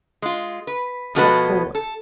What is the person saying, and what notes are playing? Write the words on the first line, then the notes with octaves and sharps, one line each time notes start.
What for?
G#3 F4
B4
B2 F3 G#3 F#4 A4 B4
A4